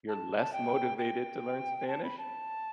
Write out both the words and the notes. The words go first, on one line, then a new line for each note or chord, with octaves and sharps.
you're less motivated to learn Spanish?
A5
A5
G5
G5
A5
B5
A5